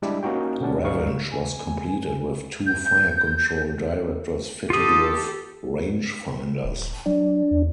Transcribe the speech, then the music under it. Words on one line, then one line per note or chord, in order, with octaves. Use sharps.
"Revenge" was completed with two fire-control directors fitted with rangefinders.
G3 G#3 D4 E4 G4
A#3 C#4 D#4 F#4 G5
B2 D3 B3 C#4 D4
G#1 D#2 G3 D#4 F5 C#6
G#5
G6
F4 G4 A4 D#6
D1
F#3 D4
E2